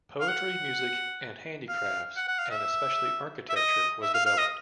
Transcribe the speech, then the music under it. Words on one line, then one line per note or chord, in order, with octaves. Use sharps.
Poetry, music and handicrafts and especially architecture was developed.
F5
F#5
F5
F#5
F#5
F5
E5
E5
D#5
E5
F5
F5
D#5